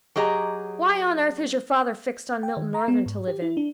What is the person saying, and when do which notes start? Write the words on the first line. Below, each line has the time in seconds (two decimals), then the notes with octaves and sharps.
'Why on earth has your father fixed on Milton-Northern to live in?'
0.16 F#3 G4 G#4 D#5 A#5
2.43 G5
2.57 D#3
2.74 A#5
2.88 B3
3.06 G#2
3.28 G4
3.42 E4
3.57 D4